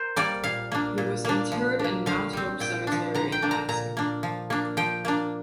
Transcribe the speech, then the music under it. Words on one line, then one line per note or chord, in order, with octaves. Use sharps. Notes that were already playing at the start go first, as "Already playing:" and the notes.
He was interred in Mount Hope Cemetery in Lansing.
Already playing: A#4 C5
G3 A#3 D5
A#2 F5
A#3 D4
A#2
A#3 D4
F3
A#3 D4
D3 F5
G3 C4
A#2 G5
F3 D4
D3 A#5
G5
A#3 D4
A#5
A#2 A#5
A#3 D4
F3
A#3 D4
F3 G5
A#3 D4